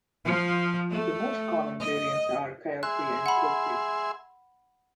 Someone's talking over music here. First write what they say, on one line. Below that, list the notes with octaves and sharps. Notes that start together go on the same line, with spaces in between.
The most common variants are Kielty and Quilty.
F3
A3
D#5
G#4 E5 C6 F#6
F#5 B5